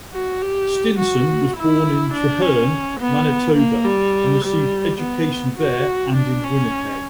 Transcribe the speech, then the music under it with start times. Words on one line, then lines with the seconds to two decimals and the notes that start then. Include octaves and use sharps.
Stinson was born in Treherne, Manitoba, and received education there and in Winnipeg.
0.13 F#4
0.42 G4
0.98 F#4
1.56 E4
2.13 D4
2.42 C#4
2.99 B3
3.57 A#3
3.85 G3
4.44 G3
5.00 B3
5.58 F#4
6.15 D4
6.44 C#4